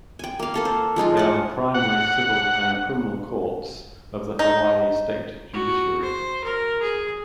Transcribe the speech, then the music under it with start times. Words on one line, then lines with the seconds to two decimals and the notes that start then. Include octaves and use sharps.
They are the primary civil and criminal courts of the Hawaii State Judiciary.
0.19 G5 G#5
0.39 A#3 F5
0.54 A#3 A4 F5
0.65 C5
0.96 F3 G#3 D#4 F4
1.17 F#5 A5
1.74 F#5
4.39 D#4
5.53 F#4
6.03 C5
6.44 A#4
6.82 G#4